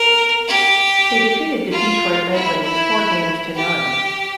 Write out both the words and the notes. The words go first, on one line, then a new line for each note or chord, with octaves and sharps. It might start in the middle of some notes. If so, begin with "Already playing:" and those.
They defeated the Detroit Red Wings four games to none.
Already playing: A#4
G4
F4
E4
E4
G4